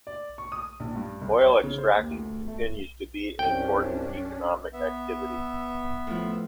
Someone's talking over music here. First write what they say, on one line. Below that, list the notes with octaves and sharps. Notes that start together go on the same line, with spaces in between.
Oil extraction continues to be an important economic activity.
D5
C#6
D#6
A#1
G2
C2
C#5
C#3
C5
D#2
D2
A3
C2 F#2 C#4 D4 G5
B3 E5
A2 F3